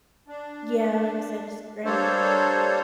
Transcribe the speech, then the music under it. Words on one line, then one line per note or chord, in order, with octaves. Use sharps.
Yeah, like I said, just grandparents,
D4
G3 A#3 D4 A4 C5 C#5